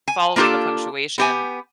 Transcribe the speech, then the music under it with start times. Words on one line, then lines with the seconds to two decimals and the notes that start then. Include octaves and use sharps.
following the punctuation,
0.08 G#5
0.36 A#3 D4 F4 G4 A4
1.18 B3 G4 G#5